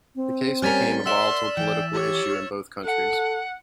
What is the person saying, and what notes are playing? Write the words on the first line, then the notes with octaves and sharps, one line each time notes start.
The case became a volatile political issue in both countries.
C4
G3 C#4 A#4 G#5 F6 A6 B6
A#4 D5 E5 F#5 C6 E6 E7
E3 G5
G4 C#5
A4 F#5